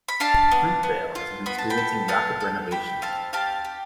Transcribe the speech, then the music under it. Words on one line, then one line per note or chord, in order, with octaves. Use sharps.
Fruitvale has been experiencing rapid renovation.
B5
D4 F5 A5
B3
B3
F4
B3 B5
A5
G5 B5
A4
B3 F5 A5
A4
G4 G5 B5
C4 F5 A5
G4 F5 A5
G4